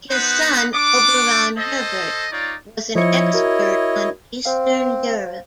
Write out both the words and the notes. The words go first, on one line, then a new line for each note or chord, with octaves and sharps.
His son Auberon Herbert was an expert on Eastern Europe.
B3 D#4 B4 C5 F#5
D4 C#6 D6
A4 C5 D#5
D#4 F4 C#5 D5
F3 E4 C#5 D#5 C#7
F#4 A#4
C4 C5 F5